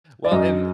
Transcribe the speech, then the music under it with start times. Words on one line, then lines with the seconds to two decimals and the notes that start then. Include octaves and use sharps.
Well, and
0.25 D5
0.32 F#2 D#5